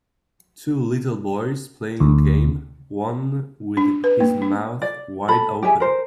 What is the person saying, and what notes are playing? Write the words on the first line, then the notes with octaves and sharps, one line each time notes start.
Two little boys playing a game, one with his mouth wide open.
D2
D4
B4
A#3
D4
D5
A4 B5
G4 G#4 E5 G#5
A#4 C5